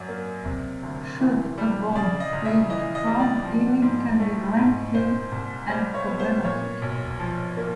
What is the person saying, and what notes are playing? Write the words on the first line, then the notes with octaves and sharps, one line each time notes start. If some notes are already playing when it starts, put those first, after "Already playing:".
Should a bond fail to form, healing can be lengthy and problematic.
Already playing: F#2 F#3 D5
A#3
C3
D2
E3
G3
C#3 D5
D#5
C#2
E5
E3 D#5
D#5
G3
D5
F3
G#2
A3
G#2
A#2 C5
C2
G3 C5
C#5
B3
C5
A#2 C#5
B1
F3
A#3